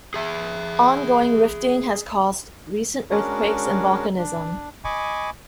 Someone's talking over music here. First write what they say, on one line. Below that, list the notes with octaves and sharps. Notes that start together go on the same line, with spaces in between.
Ongoing rifting has caused recent earthquakes and volcanism.
G#4 E5
G#3 C#4 D4 F#4 A#4
D4
D#5 G#5 B5 C#6 D6